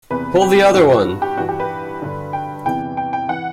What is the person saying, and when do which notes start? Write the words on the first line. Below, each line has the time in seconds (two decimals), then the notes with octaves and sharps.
Pull the other one!
0.10 E2 C3 E3 B4
0.42 G4
0.74 G2 E3 F#4
1.22 G4
1.37 G2 E3 F#4
1.49 G4
1.60 B4
2.02 G2 D3
2.33 G5
2.65 E2 C3 E3 G5
2.97 G5
3.13 G5
3.29 E3 F#5